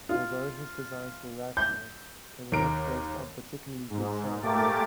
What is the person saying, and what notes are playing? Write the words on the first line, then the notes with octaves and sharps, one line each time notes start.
Although his designs were rational, they were not based on particularly good science.
F4
G6
D#2 A#4 D7
G#2
A#2 A3 A#3 G4 D6 A6